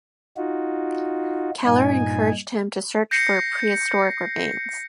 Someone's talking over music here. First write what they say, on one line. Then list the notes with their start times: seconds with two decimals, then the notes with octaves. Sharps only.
Keller encouraged him to search for prehistoric remains.
0.37 D#4 F4 F#4
1.65 G2 A#2 D#4 G#5
3.11 G6 A#6 C7 C#7